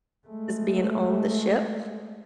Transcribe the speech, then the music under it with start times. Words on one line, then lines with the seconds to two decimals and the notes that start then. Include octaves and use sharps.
is being on the ship
0.28 G#3 A3